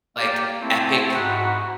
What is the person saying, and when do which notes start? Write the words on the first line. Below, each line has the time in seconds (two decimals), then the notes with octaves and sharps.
like, epic
0.16 A#3 G4 D5
0.61 A3 C4 E4
1.14 G#2 F#4 F#5 B5 C#6